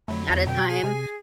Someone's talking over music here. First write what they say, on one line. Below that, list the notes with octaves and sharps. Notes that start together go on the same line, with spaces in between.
at a time,
F2 D3 F#3 A3 B5
E2
B2 G5
G#4 G#5
C3 G#4